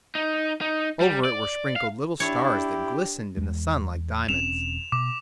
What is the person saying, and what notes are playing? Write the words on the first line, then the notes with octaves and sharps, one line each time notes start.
Over it were sprinkled little stars that glistened in the sun like diamonds.
D#4
D#4
G3
D5
F5
D4 E4 G4 C#5
E2 G#3
E1 C4 C#4 E7 F7
B2 D6